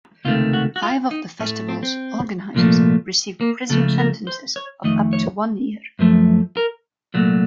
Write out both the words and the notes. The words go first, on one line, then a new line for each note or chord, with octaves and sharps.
Five of the festival's organizers received prison sentences of up to one year.
C#2 C3 D#3 A3 F4
F#4
F#4
F4
D#4
A2 A3 C#4
C4
C4
C2 A#2 F3 A3
A#3
C#2 C#3 F3 A3 A4
A#4
C5
C#5
F2 D#3 A3 D#5
C#5
F#2 F3 A3
A#4
C2 A#2 F#3 A3